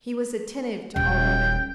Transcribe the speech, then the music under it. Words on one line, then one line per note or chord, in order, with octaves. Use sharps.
He was attentive to all women.
D#1 G5